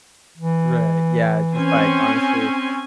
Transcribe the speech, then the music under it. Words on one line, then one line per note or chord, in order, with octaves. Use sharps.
Right, yeah, just, like, honestly,
E3
C4 C#4 G#5